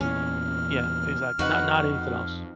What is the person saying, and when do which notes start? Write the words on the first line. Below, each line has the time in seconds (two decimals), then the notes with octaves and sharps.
Yeah, exactly, not not anything else.
0.01 E2 A#2 E3 C#4 F6
1.39 F2 D#4 F#4 B4 F#5